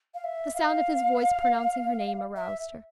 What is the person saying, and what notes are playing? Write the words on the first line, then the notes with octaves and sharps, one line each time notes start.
The sound of his voice pronouncing her name aroused her.
F5
E5
F5
E5